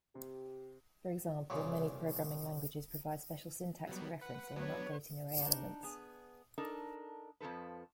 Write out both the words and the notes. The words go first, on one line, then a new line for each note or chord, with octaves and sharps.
For example, many programming languages provide special syntax for referencing and updating array elements.
C3 G4
C2 A#2 C#3
F#3 G3 B3
B4 F#5
F#3 B3 D4 B4 C#5
D4 D#4
B3 G#4
D4 D#4 A4 A#4
F2 E3 F3 A4 B4